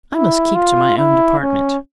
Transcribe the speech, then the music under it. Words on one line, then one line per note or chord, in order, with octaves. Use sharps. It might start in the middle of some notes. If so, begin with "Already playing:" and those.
"I must keep to my own department."
E4
F4
E4
C#4